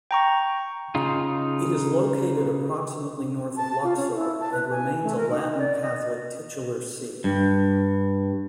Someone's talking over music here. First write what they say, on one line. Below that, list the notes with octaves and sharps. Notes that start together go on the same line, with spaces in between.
It is located approximately north of Luxor and remains a Latin Catholic titular see.
G5 A#5 C#6
C#3 D#4 F4
A5
F4
C#4
E4
A5
B4
G#5
A3
A#4
D#4
D5
D#5
G2